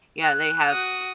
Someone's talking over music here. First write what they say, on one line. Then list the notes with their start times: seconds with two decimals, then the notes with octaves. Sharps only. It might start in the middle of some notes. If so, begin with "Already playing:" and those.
yeah, they have
0.22 F#6
0.70 F#4 D#6